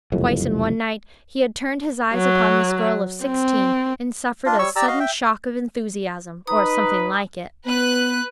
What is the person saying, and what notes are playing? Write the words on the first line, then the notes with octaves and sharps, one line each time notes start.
Twice, in one night, he had turned his eyes upon this girl of sixteen, and suffered a sudden shock of enthusiasm, or something like it.
F#1 C2 F2
F#3
C4
D4 F4
G3 C#5 C#6 E6
G4 D5 A#5 E6
F#4 D#5 F5
E5 G5
D#4 B4 A#5 D#6
B3 B4 F#6